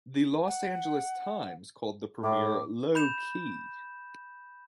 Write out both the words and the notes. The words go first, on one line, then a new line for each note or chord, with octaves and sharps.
The "Los Angeles Times" called the premiere "low-key".
F#5
A2 D6
B5 G6 E7